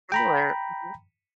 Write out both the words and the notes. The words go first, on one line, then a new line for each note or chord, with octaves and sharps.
similar. Mhm.
G5 A#5 B5